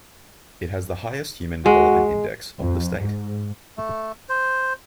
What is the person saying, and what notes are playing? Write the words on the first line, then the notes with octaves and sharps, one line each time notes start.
It has the highest Human Development Index of the state.
G#3 F#4
F2
G#2
A3
C5